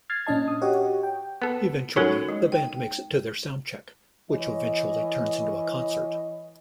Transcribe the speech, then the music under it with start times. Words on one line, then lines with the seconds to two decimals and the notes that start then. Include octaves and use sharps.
Eventually, the band makes it to their soundcheck which eventually turns into a concert.
0.10 F6 G#6 A6 C7
0.26 A#2 C#4 D4 D#5 A5 G#6
0.48 D#6
0.61 F#4 G4 C#5 D#5 F#5
1.03 G5
1.42 B3 A4
1.96 F#3 C#4 D#4 A4 A#4 C#5
2.29 G#3
2.52 G5
4.30 E3 C#5 D#5